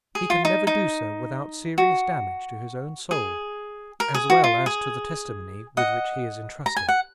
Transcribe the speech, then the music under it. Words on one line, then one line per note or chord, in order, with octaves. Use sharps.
He can never do so without serious damage to his own soul, as well as to the testimony with which he is entrusted.
G#4
F4
D#4
D#4
F#4
G#4
A#4
G#4
F#4
F4
G#4
D#5 F#5
A#5
G#5
F#5